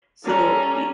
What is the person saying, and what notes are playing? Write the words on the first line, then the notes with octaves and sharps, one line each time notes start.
So, y
G3 C#4 A4 A#5